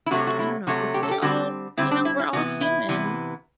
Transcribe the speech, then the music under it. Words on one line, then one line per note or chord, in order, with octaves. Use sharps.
I don't know, 'cause we all you know, we're all human.
E4
C3 F#3 A3 F#4
F#4
E4
C3 F#3 A3 F#4
G4
A4
G4
D3 G3 C4 F#4
D3 G3 C4 E4
D4
E4
E4
C3 E3 B3 F#4
E4
C3 E3 B3